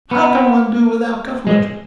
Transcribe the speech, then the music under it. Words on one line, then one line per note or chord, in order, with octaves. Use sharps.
How can one do without government?
B3
G#3